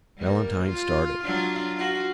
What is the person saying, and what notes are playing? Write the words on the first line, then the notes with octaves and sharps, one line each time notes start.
Valentine started.
G3 A#3
F4
F#3 D4 F4
F4 F#4